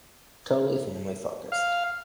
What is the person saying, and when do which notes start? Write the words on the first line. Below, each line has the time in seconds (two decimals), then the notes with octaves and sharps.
Totally family focused.
1.52 F5